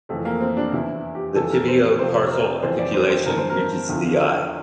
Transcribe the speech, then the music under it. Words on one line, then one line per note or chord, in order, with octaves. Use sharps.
The tibio-tarsal articulation reaches the eye.
F2 E3 A3
A#3
C4
D4
E2 E3 E4
G4
F2 E3 A4
A#4
C5
F2 C3 F3 C5
C5
A#4
F2 E3 C5
D5
C5
C5
G2 E3 A#4
C5
A#4
E2 D3 F3